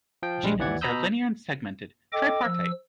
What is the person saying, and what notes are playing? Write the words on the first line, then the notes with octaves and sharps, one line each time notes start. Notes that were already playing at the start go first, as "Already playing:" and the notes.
Genomes are linear and segmented, tripartite.
F3 G5
A#1 G3 G#3
D#2 E3 D5 F#5 G#6
B2 A#5 B5 D#6 E6 G6
A4 D#5 G5 D6
F3 E6